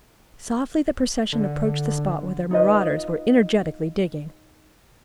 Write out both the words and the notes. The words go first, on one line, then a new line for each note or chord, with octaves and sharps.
Softly the procession approached the spot where the marauders were energetically digging.
D3
D#4 F4 B4 D#5